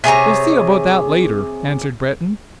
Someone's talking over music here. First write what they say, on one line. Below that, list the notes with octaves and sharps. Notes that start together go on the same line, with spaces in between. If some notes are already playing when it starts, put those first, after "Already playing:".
"We'll see about that later," answered Breton.
C3 G#4 C#5 A#5